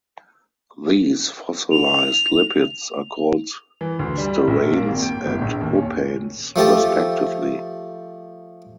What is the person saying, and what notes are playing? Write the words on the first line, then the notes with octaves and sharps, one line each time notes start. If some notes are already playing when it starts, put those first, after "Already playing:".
These fossilized lipids are called steranes and hopanes, respectively.
F7
E3
D2
G3
A#1
A#3
G#1
G5
G1
A#1
D#2
C#4
F3 A3 G4 A5